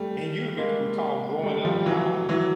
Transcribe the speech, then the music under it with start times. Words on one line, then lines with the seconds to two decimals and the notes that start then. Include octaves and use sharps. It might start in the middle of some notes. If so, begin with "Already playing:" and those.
and you re recall growing up how
Already playing: G3 A3
0.58 G#3 A#3
1.43 G3 A3
1.65 F3 G3
1.86 E3 F#3
2.29 E3 F#3